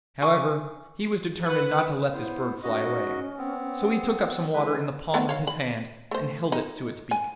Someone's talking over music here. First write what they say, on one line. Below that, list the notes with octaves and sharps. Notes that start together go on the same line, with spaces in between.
However, he was determined not to let this bird fly away; so he took up some water in the palm of his hand and held it to its beak.
G#5 C#6 D6
B4 F#5
B3 E4 C5
G#2 C#4 F#4 D#5
B3 C4
E3 G#3 B4
A3 B3 C4
C#5 F5
B5
A3 C5
D#4
G#5